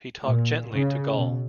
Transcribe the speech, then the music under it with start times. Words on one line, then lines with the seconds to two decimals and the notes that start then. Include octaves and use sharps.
He talked gently to Gaul.
0.23 A#2
0.74 C#3
1.10 B2